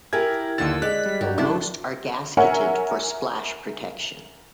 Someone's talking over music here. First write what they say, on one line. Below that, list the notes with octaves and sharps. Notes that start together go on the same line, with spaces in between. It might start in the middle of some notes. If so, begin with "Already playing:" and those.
Most are gasketed for splash protection.
E4 G4 A#4 G#5 G#6
D#2 D3 F#5 E6 A6
G#3 D5 F#6 B6
G3
G2 F#3 G4
A3 D4 E4 A5
A#4 C#5 E5 F#5 G#5